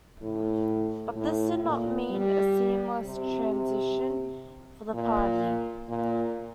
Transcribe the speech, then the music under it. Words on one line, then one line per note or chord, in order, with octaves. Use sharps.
But this did not mean a seamless transition for the party.
A2
A2
A#2
G3
C3
A#2
A#2